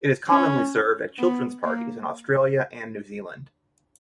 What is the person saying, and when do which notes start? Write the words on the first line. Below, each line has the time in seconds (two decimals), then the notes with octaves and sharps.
It is commonly served at children's parties in Australia and New Zealand.
0.28 C#4
1.19 B3
1.64 A#3